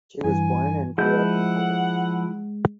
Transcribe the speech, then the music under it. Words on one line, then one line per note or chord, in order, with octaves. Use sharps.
She was born and grew up in Hawaii.
G2 E3 G#5
F3 G#3 E4 F#5 G6